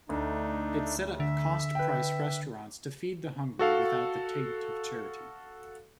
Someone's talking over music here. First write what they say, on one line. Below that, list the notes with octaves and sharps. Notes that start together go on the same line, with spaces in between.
It set up "cost-price" restaurants to feed the hungry without the taint of charity.
D2 A3 D4 D#4
D3 E5
B4 G5
F#4 A4 F5